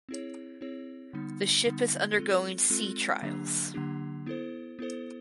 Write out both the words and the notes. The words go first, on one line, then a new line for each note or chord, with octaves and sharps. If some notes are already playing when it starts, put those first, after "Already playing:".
The ship is undergoing sea trials.
C4 E4 G#4 C#5
C4 E4 G#4 C#5
D3 G3 B3 D#4
D3 G3 B3 D#4
G#3 C4 F4 A4
G#3 C4 F4 A4
D3 F#3 A#3 D4 G4
D3 F#3 A#3 D4 G4
B3 E4 A4 C5
B3 E4 A4 C5